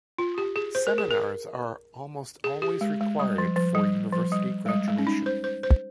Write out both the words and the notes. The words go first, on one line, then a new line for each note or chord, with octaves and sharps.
Seminars are almost always required for university graduation.
F4
G4
G#4
C5
A#4
G#4
A#4
G#4
G4
G#3
G#3
G3
F3
F3
G3
F3
G3
G#3
G3
G#3
C#4
D#4
C5
C5
C5